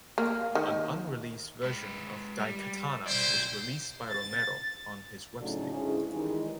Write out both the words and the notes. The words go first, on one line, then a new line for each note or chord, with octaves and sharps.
An unreleased version of "Daikatana" was released by Romero on his website.
A#3
D#3
G#3 B4
G3
B1 E4 C5 D5
A6
A2 C#3 F#3 A3 D4 D#4
D2 G#2 C#4 E4 G#4
D#3 E3 G3 G#3 D#4